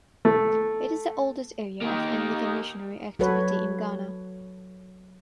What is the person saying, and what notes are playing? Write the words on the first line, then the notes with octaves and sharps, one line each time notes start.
It is the oldest area of Anglican missionary activity in Ghana.
A3
A#3 D#4 G4
F#3 F#4 A4 B4 C#5